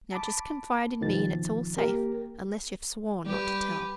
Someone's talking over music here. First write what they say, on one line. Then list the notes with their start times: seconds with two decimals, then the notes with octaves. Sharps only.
Now, just confide in me and it's all safe, unless you've sworn not to tell.'
0.13 A5 B5 D6
1.01 D#2 B2 D#3 F3 A6
1.77 A#3 G4 A#4
3.26 G3 G4 B4